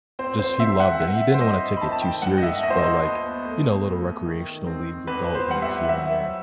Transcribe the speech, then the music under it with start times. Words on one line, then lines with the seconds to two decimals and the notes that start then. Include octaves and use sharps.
just he loved it, and he didn't wanna take it too serious, but, like, you know, little recreational leagues, adult leagues here and there.
0.19 C4 C5
0.39 C5
0.59 C4 E5
0.80 F#5
1.00 C4 E5
1.34 C5
1.41 G2 D#5
1.77 B5
1.81 D#3 A5
1.92 A5
2.02 G5
2.22 G2 F#5
2.38 D#5
2.43 E5
2.63 D#2 D#5
2.70 C5
2.78 D#5
3.04 B3
3.45 A3
3.85 A3
4.26 D#3
4.67 C4
5.07 E2 B4
5.35 C5
5.48 G3 F#5
5.62 E5
5.89 F#3 E5